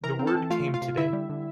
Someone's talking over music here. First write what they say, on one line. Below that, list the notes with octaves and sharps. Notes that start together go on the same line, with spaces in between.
The word came today.
E3 A#4 A#5
C4
A4 A5
E3
A3 F4 F5
A3
F4 F5
C3
D3 E4 E5
G3
D3